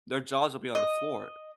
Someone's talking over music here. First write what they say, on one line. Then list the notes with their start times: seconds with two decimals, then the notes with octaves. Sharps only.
their jaws will be on the floor.
0.75 D#5